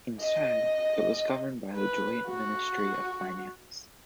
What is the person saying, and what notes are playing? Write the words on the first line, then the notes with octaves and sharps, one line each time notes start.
Instead, it was governed by the joint Ministry of Finance.
D#5
B4
F#4